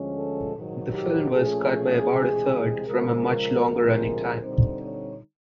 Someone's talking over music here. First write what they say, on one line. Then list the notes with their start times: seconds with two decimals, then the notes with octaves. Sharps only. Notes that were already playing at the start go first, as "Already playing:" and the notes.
The film was cut by about a third from a much longer running time.
Already playing: D2 D3 F3 G#3 C#4
0.15 A4
0.54 G#2 D#3 F#3
0.92 G4
1.31 A#2 F3 A3 C#4 G#4
2.10 D2 C3 E3 G#3
2.86 C#3 F3 G#3 A#4
3.64 D2 C3 F3 G#3
4.42 D3 G3 C4 D#4 C5
4.81 C#5